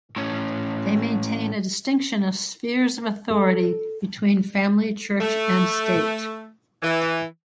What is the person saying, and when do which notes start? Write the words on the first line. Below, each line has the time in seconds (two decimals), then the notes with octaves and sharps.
They maintain a distinction of spheres of authority between family, church, and state.
0.16 A2 C#4
3.30 A4
5.21 A3
6.82 E3